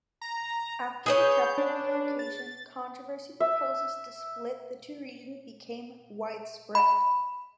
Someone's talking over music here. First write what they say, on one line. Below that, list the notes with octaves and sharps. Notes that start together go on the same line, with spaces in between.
After the capital relocation controversy proposals to split the two regions became widespread.
A#5
G#4 B4 C#5 G6
D4
A6
E5
B5